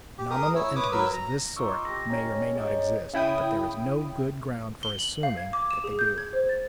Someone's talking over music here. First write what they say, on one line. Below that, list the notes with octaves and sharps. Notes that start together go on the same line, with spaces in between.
Nominal entities of this sort may or may not exist, but there is no good ground for assuming that they do.
G4
G#4 A#4 D#6
E4 C#5 E6
B4 C#5 D6 D#6
F#3 A#4 B4 E6
A#5
D#4 F4 D5 C#6 D6 E6
G4 A5 E6 A#6
C#4 D#4 G4
G#4 C#5 D#5
C#3 E4 G5 D#6
G7
F#7
F5
G#6
D6
E7
G#4
G6
G#6
C5
A6